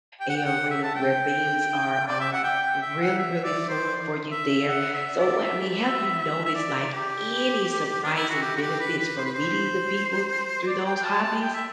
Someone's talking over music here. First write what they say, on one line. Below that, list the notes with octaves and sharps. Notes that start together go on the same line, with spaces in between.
a arena where things are, um, really, really flowing for you there. So, wha I mean, have you noticed, like, any surprising benefits from meeting the people through those hobbies
G5
F#5
G5
F#5
E5
A5
G5
D5
E5
F#5
G5
G5
E5
F#5
E5
D5
C5
E5
F#5
E5
D5
E5
E5
E5
D5
G4
D4
E4
F#4
G4
F#4
G4
B4
B4
C5
B4
C5
D5
G5
G5
A5
A5
G5
E5